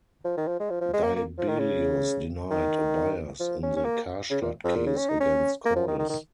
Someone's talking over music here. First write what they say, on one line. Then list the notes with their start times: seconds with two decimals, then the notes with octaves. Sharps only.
Dibelius denied a bias in the "Karstadt" case against Cordes.
0.25 F3
0.37 D#3
0.48 F3
0.59 G#3
0.70 F3
0.81 F3
0.93 G#3
1.03 A#3
1.16 A#3
1.38 F3
1.48 D#3
1.59 C#3
2.50 D#3
3.40 F3
3.63 C#4
3.76 C#4
3.85 A#3
4.30 C#3
4.42 A#2
4.64 F2
4.75 A#2
4.86 C#3
4.97 C#4
5.09 D#4
5.20 C#4
5.65 A#3
5.76 F3
5.88 D#3
5.99 D#3
6.09 D#3